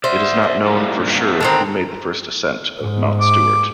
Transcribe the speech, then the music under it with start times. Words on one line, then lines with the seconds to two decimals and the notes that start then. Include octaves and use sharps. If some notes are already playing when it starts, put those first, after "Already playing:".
It is not known for sure who made the first ascent of Mount Stuart.
0.04 C5 D5 E5
0.64 A2 G3 A#3
0.99 G2 A#2
1.19 F#3 A3 C4
1.41 D3 D#3 C4 A5 A#5
2.81 G#2
3.21 D6